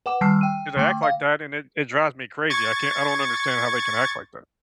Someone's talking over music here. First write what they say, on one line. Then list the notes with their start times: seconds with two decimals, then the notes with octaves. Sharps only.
'Cause they act like that, and it it drives me crazy. I can't I don't understand how they can act like that.
0.06 B4 F#5 D6 E7
0.21 D#3 G3 A5 E6 F6 C7
0.41 G5 D#7
0.77 D3 A3 G5
1.03 F5
2.50 C#6 G#6 A6